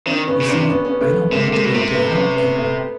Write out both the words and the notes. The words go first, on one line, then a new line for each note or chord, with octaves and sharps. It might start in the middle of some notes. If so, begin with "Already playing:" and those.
"You see--I don't want you to help caring."
D#3 C4 D4
B3 C#4
C#3
C3 C4 D4
D4
B3 C#4
B3 C#4
A3 B3
C3 G#3 A#3
A3
C3 G#3 A#3
B2
C3 A#3 C4
A3 B3
B3 C#4
B3 C#4
A3 B3